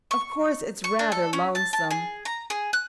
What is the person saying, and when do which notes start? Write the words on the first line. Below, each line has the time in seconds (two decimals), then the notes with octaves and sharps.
Of course, it's rather lonesome.
0.11 C#6
0.84 C#6
0.99 D4
1.12 A4
1.33 C#4
1.55 A5
1.73 A5
1.91 G#4
2.25 A#5
2.50 G#4
2.73 F#6